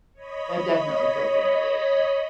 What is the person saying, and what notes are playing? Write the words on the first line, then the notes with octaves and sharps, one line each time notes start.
That definitely kills your motivation.
C#5 D#5 B5